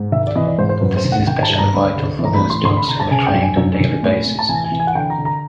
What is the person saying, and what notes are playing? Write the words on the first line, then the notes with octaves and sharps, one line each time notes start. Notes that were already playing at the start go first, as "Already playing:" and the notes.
This is especially vital for those dogs who are trained on daily basis.
Already playing: G#2
D#3 E5
D5
E3 D#5
D5
G#2 C5
C5
F#2 B4
C5
D#3
F#5
D#3 G5
A5
G2
A#5
D3 B5
D3
E3
A#5
B5
A2
C6
D3 C6
B5
D3 A#5
A5
C#3 G#5
G5
F#2
G#5
F#2
D#3
A2
A2
A5
E3 G#5
G#5
E3
G#5
F#5
D3 G5
A#5
D3
A#5